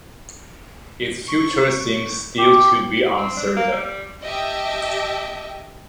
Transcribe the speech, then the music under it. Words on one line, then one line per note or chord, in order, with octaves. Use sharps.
Its future seems still to be uncertain.
C#6
G4
A2
C4
D4
A#3
G3
G4 D#5 E5 G5 A5